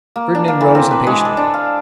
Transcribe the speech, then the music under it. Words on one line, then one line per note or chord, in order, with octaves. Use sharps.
Fernand rose impatiently.
A#3
D4
A#3
E3
C4
B4
G#3
A4
D4
F5